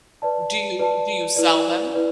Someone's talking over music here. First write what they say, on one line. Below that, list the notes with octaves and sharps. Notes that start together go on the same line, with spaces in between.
W do you do you sell them?
B4 D5 A5
B4 D5 A5
E4 B4 D5
E4 B4 D5